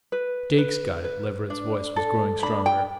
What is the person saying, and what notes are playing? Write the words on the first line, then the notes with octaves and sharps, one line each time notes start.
"Jake's got it." Leverett's voice was growing stronger.
B4
B4
B4
D4
A4
D4 B5
G5